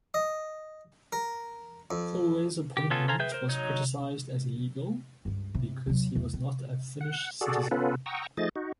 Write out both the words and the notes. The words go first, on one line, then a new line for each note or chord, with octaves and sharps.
Plehwe's appointment was criticized as illegal, because he was not a Finnish citizen.
D#5
A#4
F2
G4
B3 C#4 F4 A4
A4 C5 F5 G#5 A#5
G#4 B4 E5 G5 G6
A#4 C5
F#3 D#4 C#5 G6
C#2 G2
C3
D#2 F#3
E2 A3
C4
F#5
F#4 G#4 A4 D5
B3 C#4 F4 A4 B4
F#5 G5 A#5 C#6 D#6 E6
F3 A3 D#4 G#4 D#5 A6
D#4 F#4